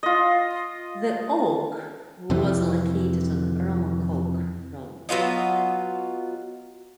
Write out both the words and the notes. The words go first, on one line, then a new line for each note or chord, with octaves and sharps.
The oak was located on Romancoke Road.
F4 D#5
F2 C3 E3
F#3 B3 F4 D#5